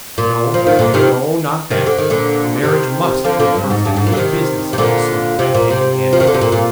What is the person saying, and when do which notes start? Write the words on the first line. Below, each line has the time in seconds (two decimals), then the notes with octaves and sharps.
No, no, not that; marriage must come first in any business of this sort that I take in hand.
0.18 A#2
0.54 F3
0.67 D#3
0.79 A#2 D3
0.94 C3 D#3
1.71 C3 D#3
1.86 D3
1.98 D#3
2.10 A#2 D3
2.63 C3 D#3
3.24 D3 F3
3.40 D3 F3
3.55 G2
3.70 G#2
3.85 G2
3.96 G#2
4.07 A#2
4.13 D3
4.17 C3 D#3
4.73 C3
4.78 A#2 D3
5.39 C3
5.54 A#2
5.70 C3
6.13 F3
6.20 D#3
6.27 D3
6.34 C3
6.41 A#2
6.52 A#2